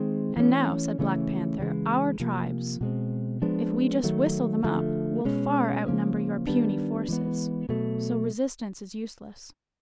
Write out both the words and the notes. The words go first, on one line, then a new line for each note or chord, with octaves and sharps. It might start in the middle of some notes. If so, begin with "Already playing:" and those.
'And now,' said Black Panther, 'our tribes, if we just whistle them up, will far outnumber your puny forces; so resistance is useless.
Already playing: D#3 G#3 C4
E3 A3 C#4
C#3 E3 A3 C#4
C#3 E3 G#3
C3 F3 A#3
B2 G#3 C4
F3 G#3 B3 D4
D#3 F#3 A3
D3 F3 A3
B2 G#3 C#4
C#3 F3 A#3 C#4
D#3 G3 B3 D4
E3 G#3 B3
B2 F#3 A3